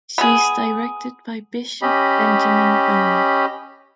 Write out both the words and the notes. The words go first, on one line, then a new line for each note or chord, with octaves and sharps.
She’s directed by Bishop Benjamin Boni.
B3 G#4
C#4 G4 D#5 B5